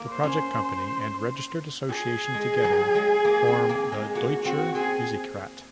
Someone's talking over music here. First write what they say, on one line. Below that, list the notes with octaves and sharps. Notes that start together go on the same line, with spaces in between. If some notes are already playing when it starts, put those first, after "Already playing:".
The project company and registered association together form the Deutscher Musikrat.
Already playing: A#3
C5
C#4
G#4
G#3
F#3
G#3
A#3
C4
A#3
G#3
A#3 F#4
C4 F#4
C4 G#4